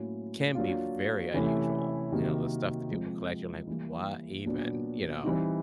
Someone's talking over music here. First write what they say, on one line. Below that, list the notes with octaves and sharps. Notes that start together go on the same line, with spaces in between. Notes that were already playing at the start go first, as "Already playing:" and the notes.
can be very unusual, you know, the stuff that people collect, you're like, "What even?" you know,
Already playing: A2 F#3 A#3 C#4 E4
F#3 A#3 D4 F4
C3 E3 A3 C#4 E4
C3 D#3 F#3 A#3
F3 G#3 C4
E3 G3 A#3
A#2 F#3 B3 D4
E3 G3 C4 D#4